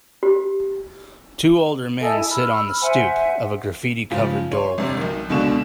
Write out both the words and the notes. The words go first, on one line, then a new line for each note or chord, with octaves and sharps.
Two older men sit on the stoop of a graffiti covered doorway.
G4
A4 D#5 E5 G#5
E4
B5 E6 F6
C5 E5 F#5 G#5
G#2 C#3 F3
C#5 C6
G1 C3
B1 D#3
C#2 B2 D3 C#6 E7